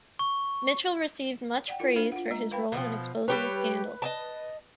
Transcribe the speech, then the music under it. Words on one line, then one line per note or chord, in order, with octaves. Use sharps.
Mitchell received much praise for his role in exposing the scandal.
C#6
D5 F#5 G5
E4 F4 A#4
D4 A4 C5 F5
F4 F#5
G#3 D#5 A#5
A#4 B4 F5 G5 B5
B2 D#3 F3
G3 G4 B4 C#5
D#5 G#5 A5